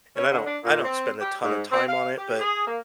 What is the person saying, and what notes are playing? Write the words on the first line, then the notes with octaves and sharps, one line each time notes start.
and I don't I don't spend a ton of time on it, but
C#4
D3
D4
A#2
C4
G4
G#2
C4
F5
G4
G#4
A#3